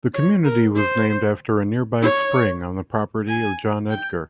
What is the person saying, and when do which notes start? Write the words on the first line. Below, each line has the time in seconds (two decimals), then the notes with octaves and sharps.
The community was named after a nearby spring on the property of John Edgar.
0.14 C#5
0.45 A#4
0.76 C5
2.02 C#5
3.28 G#5
3.90 G5